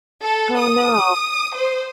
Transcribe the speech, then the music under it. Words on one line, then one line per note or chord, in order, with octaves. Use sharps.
Oh, no.
A4
D#6
C5